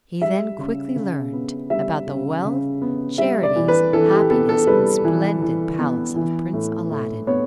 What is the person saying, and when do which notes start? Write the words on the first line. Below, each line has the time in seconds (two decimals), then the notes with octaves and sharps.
He then quickly learnt about the wealth, charities, happiness, and splendid palace of Prince Aladdin.
0.22 G3 E5
0.58 C#3
0.96 C#3
1.33 B3
1.70 G3 E5
2.07 C#3
2.45 C#3
2.82 B3
3.18 G3 E5
3.43 D5
3.56 E3
3.68 B4
3.93 E3 A4
4.11 G4
4.30 B3 A4
4.49 A4
4.67 G3 B4
5.05 E3
5.42 E3
5.79 B3
6.16 E3
6.53 A2
6.90 A2
7.27 B3 C#5